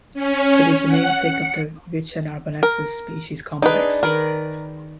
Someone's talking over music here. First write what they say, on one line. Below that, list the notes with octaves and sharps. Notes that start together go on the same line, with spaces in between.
It is the namesake of the "Vicia narbonensis" species complex.
C#4
F#5
C#7
A#4
D4 D#4 G#4 B4 D5
D#3 A#4 B4 D5